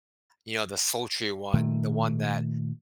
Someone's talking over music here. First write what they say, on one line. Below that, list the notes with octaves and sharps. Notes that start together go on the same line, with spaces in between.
you know, the sultry one, the one that
A#2 D#3 A3